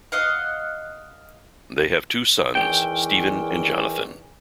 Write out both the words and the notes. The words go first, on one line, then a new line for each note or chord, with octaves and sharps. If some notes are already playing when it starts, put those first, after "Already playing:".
They have two sons, Steven and Jonathon.
D#5 F5 F#5
E2 D#3 E3 G5